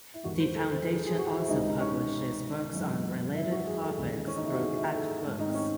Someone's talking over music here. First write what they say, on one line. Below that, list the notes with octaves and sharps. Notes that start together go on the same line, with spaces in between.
The foundation also publishes books on related topics through Khatt Books.
E4
E2 D#3 G#3 F#4
C5
A4
C5
G#4
G#4
F#4
E4
C#2 C3 D#3 G#3 D#4
D#4
C#4
F#2 E3 G#3
E4
F#4
G#4
A4
D#2 C#3 E3 G#3
C#4
D#4
E4
F#4
G#4
E4
A4
G#4
G#2 D#3 A3
D#4
C4
C#4